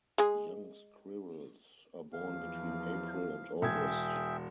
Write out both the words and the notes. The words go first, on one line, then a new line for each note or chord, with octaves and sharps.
Young squirrels are born between April and August.
G#3 G#4
E2 F3 F5
E1 G#4 E5 G5 G#6